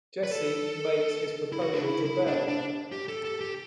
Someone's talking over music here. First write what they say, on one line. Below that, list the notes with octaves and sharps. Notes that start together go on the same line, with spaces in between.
Jesse makes his proposal to Belle.
B4
A4
E4
F#4
D4
E4
E4
D4
D4
G4
A4
A4
G4